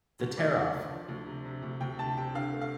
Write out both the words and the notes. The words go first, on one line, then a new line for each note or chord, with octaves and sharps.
The Tear Off!
D2
D2 D5
D2
D2
F3
D2
C3
C3
D2
D2 G5
C3 A5
C3 G5
D3 F5
A3
F5